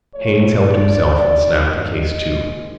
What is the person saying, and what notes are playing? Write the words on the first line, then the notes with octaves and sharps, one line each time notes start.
Haines helped himself and snapped the case to.
A2 F3 A3 C#5
D5
G2 D#3 F#3 D5
D#5
C3 D#3 G#3